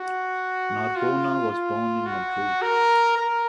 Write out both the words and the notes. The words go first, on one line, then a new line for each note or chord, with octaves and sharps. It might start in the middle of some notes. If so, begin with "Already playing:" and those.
Narbona was born in Madrid.
Already playing: F#4
F4
F4
F#4
A#4
A#4